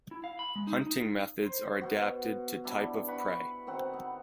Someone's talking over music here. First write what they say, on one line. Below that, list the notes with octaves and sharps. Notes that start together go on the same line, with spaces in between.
Hunting methods are adapted to type of prey.
E4
F5
B5
G#3
D#4
D#4
C5
B2 F#4
G3 D4 E4
B4 F#5 B5 C#6
D#3 C4 F#4 F#5
B3